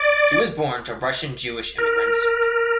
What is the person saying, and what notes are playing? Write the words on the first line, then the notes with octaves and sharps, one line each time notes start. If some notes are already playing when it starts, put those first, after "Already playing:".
He was born to Russian Jewish immigrants.
Already playing: D5
A#4